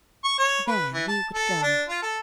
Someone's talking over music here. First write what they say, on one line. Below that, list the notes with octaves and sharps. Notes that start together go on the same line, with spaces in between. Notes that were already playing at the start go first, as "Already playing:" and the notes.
There we would go.
C#6
C#5
B4
E3
A5
A4
D4
F4
A4